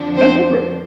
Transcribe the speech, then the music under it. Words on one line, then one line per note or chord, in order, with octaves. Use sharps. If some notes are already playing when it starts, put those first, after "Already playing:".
No, go for it.
Already playing: F2 D3 F3 D4
C4 C5